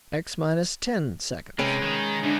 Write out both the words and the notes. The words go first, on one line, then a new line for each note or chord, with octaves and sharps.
X minus ten seconds.
C3 G#3 C#4 B4
D#3
D2 D4